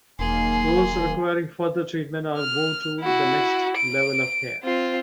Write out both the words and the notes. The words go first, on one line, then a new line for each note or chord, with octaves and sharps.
Those requiring further treatment are moved to the next level of care.
E1 D#3 F#3 A#3 G#4 G#5 C6
F6
E4 F#4
D7
C4 F4